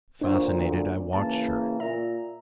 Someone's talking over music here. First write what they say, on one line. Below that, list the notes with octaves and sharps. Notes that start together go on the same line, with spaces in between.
Fascinated, I watched her.
D2 A#2 D4 C5 C#5
C#3 E3 A#3 A5
A#2 E5 A#5